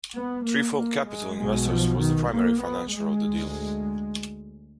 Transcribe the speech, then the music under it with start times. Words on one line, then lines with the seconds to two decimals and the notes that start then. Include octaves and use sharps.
Trefoil Capital Investors was the primary financier of the deal.
0.15 B3
0.46 A#3
0.77 A#3
1.07 G#3
1.38 B1 B2 G#3
1.69 F3
2.00 D#3
2.30 A#3
2.61 B3
2.92 G#3
3.24 D2